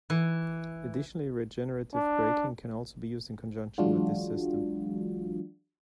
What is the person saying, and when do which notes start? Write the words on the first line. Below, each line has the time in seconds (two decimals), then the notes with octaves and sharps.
Additionally, regenerative braking can also be used in conjunction with this system.
0.10 E3
1.94 D4
3.78 E3 F#3 G#3 D4 F4 F#4